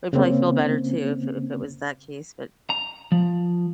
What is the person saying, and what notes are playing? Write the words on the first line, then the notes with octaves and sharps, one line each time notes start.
that would probably feel better, too, if it if it was that case. But,
C#3 A#3 C4 C#4
A#5
F3